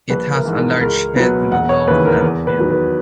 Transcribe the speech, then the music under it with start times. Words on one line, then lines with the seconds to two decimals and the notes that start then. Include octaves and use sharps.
It has a large head and a long, flat bill.
0.10 A#1 B4
0.34 A#4
0.45 G#2 E3
0.57 A#4
0.81 C#2 A#4
1.16 B2 F#3 B4
1.52 E1 F#5
1.69 C#5
1.87 D#2 C#3 E3 B4
2.05 A#4
2.22 E2
2.47 B4
2.58 D#3 F#3
2.71 B4